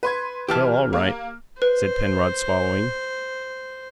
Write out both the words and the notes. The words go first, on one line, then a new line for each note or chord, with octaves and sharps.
"Well, all right," said Penrod, swallowing.
B4 C6 G#6
E3 G4 E5 A5 F6
A#3
B4 C5